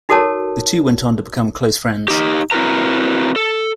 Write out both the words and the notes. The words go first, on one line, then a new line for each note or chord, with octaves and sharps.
The two went on to become close friends.
D#4 F#4 A4 A#4 C#5 A5
D#4 G4
C4 E4 F#4 A#4 B4 A#5
A4